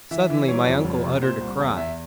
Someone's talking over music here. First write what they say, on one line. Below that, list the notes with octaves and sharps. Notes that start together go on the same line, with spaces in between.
Suddenly my uncle uttered a cry.
E3 E5
E3 E5
G3 C#5
F2
F1
C3
A#2 C5
C2
E2
E2 E5